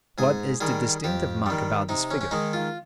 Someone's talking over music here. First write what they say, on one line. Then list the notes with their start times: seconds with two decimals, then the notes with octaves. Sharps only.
What is the distinctive mark about this figure?
0.18 G#2 G#4
0.61 D#3 G3 G#4
1.04 F2 G4
1.46 D#3 G3
1.89 C3 D#4
2.11 C#4
2.21 C#4
2.31 D#3 G#3 D#4
2.53 F4